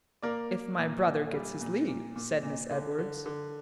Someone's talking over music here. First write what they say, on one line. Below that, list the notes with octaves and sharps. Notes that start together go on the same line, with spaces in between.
"If my brother gets his leave," said Miss Edwards.
A#3 A#4 D5
A#3
A#2
A#2
G3
A#2
A#2
A#2
A#2
D3
D3
D3